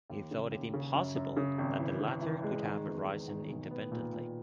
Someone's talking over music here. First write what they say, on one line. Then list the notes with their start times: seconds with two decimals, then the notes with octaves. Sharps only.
He thought it impossible that the latter could have arisen independently.
0.10 D#2
0.31 C#3
0.52 D#2
0.73 C#3
0.94 F#2
1.16 F#2
1.37 C#3
1.58 G#1
1.79 E3
2.01 C#3
2.21 E3
2.43 G#3
2.65 D#3
2.86 E2
3.06 D#3
3.28 D#3
3.49 B1
3.71 B3
3.92 A#2
4.12 A#2